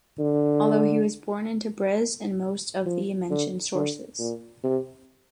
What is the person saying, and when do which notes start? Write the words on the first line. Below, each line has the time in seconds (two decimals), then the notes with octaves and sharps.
Although he was born in Tabriz in most of the mentioned sources.
0.19 D3
2.86 F3
3.30 D3
3.75 D3
4.19 A#2
4.64 C3